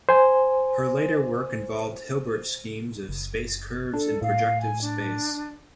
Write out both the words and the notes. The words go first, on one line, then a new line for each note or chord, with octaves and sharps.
Her later work involved Hilbert schemes of space curves in projective space.
C5 G#5
F#1
D4 A4
A2 F5
G#5
D4